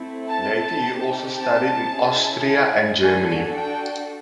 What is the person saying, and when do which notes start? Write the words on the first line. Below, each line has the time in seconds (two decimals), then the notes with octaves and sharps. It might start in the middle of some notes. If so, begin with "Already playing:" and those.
Later he also studied in Austria and Germany.
Already playing: A3 C4 E4
0.29 A5
0.82 C4 D#4 G4
1.38 A5
1.91 C#4 E4 G#4
3.01 D4 F#4 A4 G#5
3.56 G5